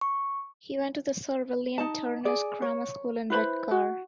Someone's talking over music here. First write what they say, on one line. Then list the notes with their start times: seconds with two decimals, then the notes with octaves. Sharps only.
He went to the Sir William Turner's Grammar School in Redcar.
0.01 C#6
1.78 D#4 D#5 A5
2.25 G#4 D5
2.62 C#5
3.30 E4 B4 C5 B5
3.71 F#4